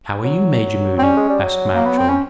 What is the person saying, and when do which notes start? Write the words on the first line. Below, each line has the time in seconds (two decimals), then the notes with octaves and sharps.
"How are you, Major Moody?" asked Mountjoy.
0.24 F#3
0.96 F#3 C4
1.03 G3 C#4
1.17 G#3
1.29 G3
1.43 F#3
1.74 A#3
1.86 B3
1.98 C4
2.09 C#4